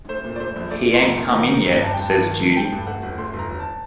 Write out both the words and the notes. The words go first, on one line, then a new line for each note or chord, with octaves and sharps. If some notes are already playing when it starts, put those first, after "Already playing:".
"He ain't come in yet," says Judy.
A3 C5
A#2
D5
A3 C5
A#1
A3 D5
A3
C6
A#1 A#5
A#2
D#3 A#5
D#3
A#5
G1
A#5
G2 A5
G2 G5
A5
G2
D#3
A3
A5
A3 G5
G2
A3 F#5
G1
A3 C6
G1
A#5
G1
A5